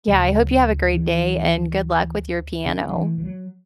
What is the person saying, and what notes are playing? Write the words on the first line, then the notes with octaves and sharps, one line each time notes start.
Yeah, I hope you have a great day, and good luck with your piano.
D2 C#3 F#3
E3
D3
F#3
E3
E3
F#3